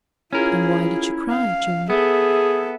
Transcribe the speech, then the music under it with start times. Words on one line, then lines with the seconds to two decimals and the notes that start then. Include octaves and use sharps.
"Then why did you cry, June?"
0.33 C#4 E4 F4 G#4 A#4
1.30 F5
1.90 B3 G#4 A4 E5